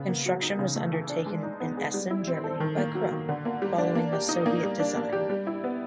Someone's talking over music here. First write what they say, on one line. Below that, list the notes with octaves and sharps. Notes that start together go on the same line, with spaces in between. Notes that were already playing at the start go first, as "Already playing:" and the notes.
Construction was undertaken in Essen, Germany by Krupp, following a Soviet design.
Already playing: C#3 B3
A#3
F#3
D#4
C#3
A3
E3
D4
G#3
D#4
B3
G#4
G3
E4
C4
A4
D#3
A#3
F#3
D#3
D3
A#3
G3
D4
A#3
G4
D#4
A#3
G3
D4
A#3
G4
G3
E4
B3